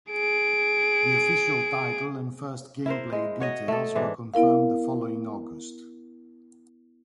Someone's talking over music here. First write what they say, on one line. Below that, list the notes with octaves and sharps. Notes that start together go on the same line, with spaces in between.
The official title and first gameplay details were confirmed the following August.
G#4 D7
E4 A#4 C5
G#3
F#4 C#5 D#5
A3 A4
G#2 E3 D4
B3 E4 A#4 F5